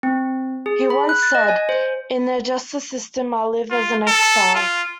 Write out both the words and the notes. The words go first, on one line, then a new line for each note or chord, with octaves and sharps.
He once said, In the justice system, I live as in exile.
C4
G#4
B5
F#6
A6
D#5
G#5
C5
F4
A4
F4